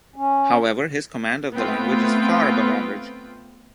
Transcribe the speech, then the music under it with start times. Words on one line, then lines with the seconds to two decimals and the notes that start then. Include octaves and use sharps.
However, his command of the language is far above average.
0.16 C#4
1.55 A3 B3 C4 F4 B4 G5